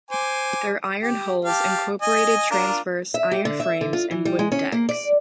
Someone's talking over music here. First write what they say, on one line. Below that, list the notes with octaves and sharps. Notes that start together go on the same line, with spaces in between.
Their iron hulls incorporated transverse iron frames and wooden decks.
C5 G#5 D6
G4
G4 F5 A5
D#5 G#5
D4 F4 A#4
E5
G4
D3
E5
D3
F4
E3
G3
G#3
C#4
A#3
D5